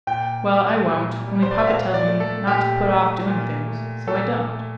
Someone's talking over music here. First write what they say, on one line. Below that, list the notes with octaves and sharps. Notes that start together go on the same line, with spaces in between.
"Well, I won't, only papa tells me not to put off doing things, so I don't."
A#2 G5
G3
A#2
G3
C5
D5
E5
A#2 F5
D5
A3
A4
A#2 G4
A3
A#2
A3
A#2 A4
A3